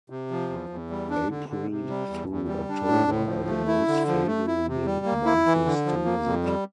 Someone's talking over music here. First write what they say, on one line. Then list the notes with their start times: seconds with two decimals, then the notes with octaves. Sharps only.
April through October are the most favorable months to visit.
0.10 C3
0.31 F3
0.49 E2
0.69 E2
0.90 G3
1.10 D4
1.30 D3
1.49 D3
1.70 C3
1.89 G3
2.09 E2
2.29 E2
2.48 G3
2.69 D4
2.89 A2
3.08 A2
3.27 F3
3.48 A3
3.67 E4
3.87 D3
4.08 F3
4.27 A3
4.47 E4
4.67 C3
4.86 G3
5.06 A#3
5.26 E4
5.46 E3
5.65 D3
5.85 F3
6.05 A#3
6.25 F2
6.44 G3